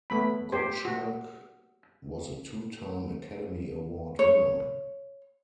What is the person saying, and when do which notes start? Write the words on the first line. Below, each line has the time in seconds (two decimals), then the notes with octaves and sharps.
Gottschalk was a two time Academy Award winner.
0.10 A3 B3 B5
0.52 G4 C5
0.85 F#4
4.19 C#5